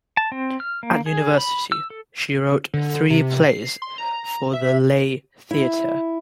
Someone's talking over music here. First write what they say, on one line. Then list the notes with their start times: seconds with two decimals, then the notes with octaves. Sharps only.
At university she wrote three plays for the lay theatre.
0.17 A5
0.32 C4
0.60 F6
0.83 A#3
1.06 G#4
1.37 B5
1.72 E6
1.90 A4
2.74 D3
3.10 C3
3.45 C7
3.82 C6
3.98 A#5
4.53 E5
5.51 E4